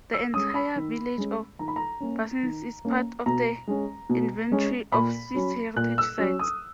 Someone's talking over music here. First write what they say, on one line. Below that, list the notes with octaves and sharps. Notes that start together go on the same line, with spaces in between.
The entire village of Bursins is part of the Inventory of Swiss Heritage Sites.
E6
G#3 C#4 D#6
B5
D#3
G#3 C#4
D#3 A#5
B5
A#5
A#3 C#4
D#3
A#3 C#4
B2 A#5
G#3 C#4
B2
G#3 C#4
A#2 B5
F#3 C#4
A#2 F#6
E6
F#3 C#4
D#6